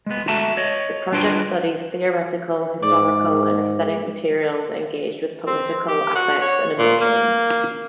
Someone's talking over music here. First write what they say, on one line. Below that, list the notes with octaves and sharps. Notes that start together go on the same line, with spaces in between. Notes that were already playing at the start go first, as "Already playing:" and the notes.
The project studies theoretical, historical, and aesthetic materials engaged with political affects and emotions.
G#3 B3
F#4 A4 E5 F#5 A5 A#5
C#5 D#5
G3 D4 F4 B4 C#5 G5
G#2 D5
C4
G4
F#4
C#5
A#2
A#3